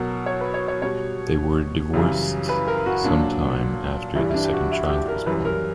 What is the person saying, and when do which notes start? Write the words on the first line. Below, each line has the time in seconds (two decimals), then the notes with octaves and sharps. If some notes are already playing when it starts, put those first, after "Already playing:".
They were divorced sometime after the second child was born.
Already playing: B2 F#3 A#4
0.26 C#5
0.41 B4
0.54 C#5
0.68 C#5
0.82 B2 G3 C#5
1.93 F#2 C#3 E3 G3
2.49 B4
2.68 A#4
2.86 F#4
3.04 A#2 F#3 D4
4.16 G2 E3 G3 E4
4.30 E4
4.34 D4
4.44 G4
4.53 F#4
4.71 E4
4.89 G4
5.08 A#4
5.26 F#2 E3 G3 B4
5.45 A#4